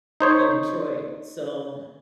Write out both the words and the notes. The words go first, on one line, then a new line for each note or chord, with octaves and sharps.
in Detroit, so,
D#4 C5 C#5